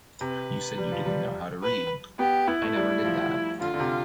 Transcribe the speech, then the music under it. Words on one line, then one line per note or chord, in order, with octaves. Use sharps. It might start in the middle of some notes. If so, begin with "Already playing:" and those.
You said you didn’t know how to read. I never did that.
C3 B4
G3
F3
G3
B4
B3 G4
B3 E4
A3
G3
F3
D3 F4
D3
C3